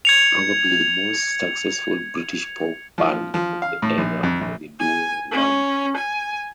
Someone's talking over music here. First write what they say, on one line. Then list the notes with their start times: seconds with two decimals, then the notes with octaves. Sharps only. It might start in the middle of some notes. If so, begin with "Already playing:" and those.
Probably the most successful British pop band of the era were the duo Wham!
0.05 G#6 C#7 F7
2.98 F3
3.34 F3
3.62 F5
3.82 A2
3.98 A#1
4.23 F2
4.41 A#1
4.80 G#5
5.32 C#4
5.97 G#5